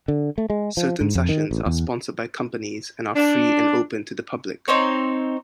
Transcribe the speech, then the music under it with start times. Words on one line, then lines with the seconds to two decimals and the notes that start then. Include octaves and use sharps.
Certain sessions are sponsored by companies and are free and open to the public.
0.08 D3
0.38 A3
0.50 G#3
0.77 F3
1.01 G#2
1.15 F2
1.29 D#3
1.51 A1
1.66 E2
3.16 D4
4.68 C4 D#4 C5 C#5